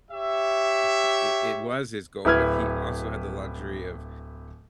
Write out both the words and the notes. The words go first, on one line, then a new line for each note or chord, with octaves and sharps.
he it it was his goal, but he also had the luxury of
G4 C#5 E5
D1 E4 B4 F6 G#6